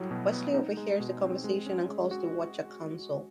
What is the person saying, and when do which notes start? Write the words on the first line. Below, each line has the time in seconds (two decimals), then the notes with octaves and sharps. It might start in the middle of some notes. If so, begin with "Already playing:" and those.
Wesley overhears the conversation and calls the Watcher Council.
Already playing: A2 F#3 G3 E4
0.11 B2
0.32 B3
0.54 D#4
0.77 G#3
1.00 B2
1.22 C4
1.44 G#3
1.66 C#4
1.89 G#3
2.11 F#4